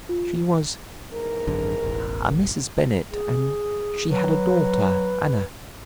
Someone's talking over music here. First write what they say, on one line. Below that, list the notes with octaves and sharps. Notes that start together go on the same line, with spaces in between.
She was a Mrs. Bennett, and she had a daughter, Anna.
F4
E2 G#2 A#4
G#1 F#2 D3
E1 A1
G#4
F#3 B4